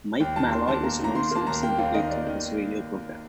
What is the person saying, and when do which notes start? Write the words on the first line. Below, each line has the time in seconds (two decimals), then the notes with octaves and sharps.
Mike Malloy is now self-syndicating his radio program.
0.20 D#2 G5
0.36 D#2 A5
0.51 D#3 C6
0.68 D#2 A5
0.83 A#3 A#5
0.99 D#3 A#5
1.15 D#3 C6
1.31 A#3 A5
1.47 D#2 A#5
1.63 A#3 G5
1.78 D#2 F5
1.94 D#3 D#5
2.10 D#2 D5
2.27 D#3